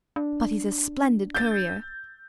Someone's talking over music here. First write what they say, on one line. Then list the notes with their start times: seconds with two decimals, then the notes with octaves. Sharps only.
But he's a splendid courier.
0.16 D4
1.35 G6 A6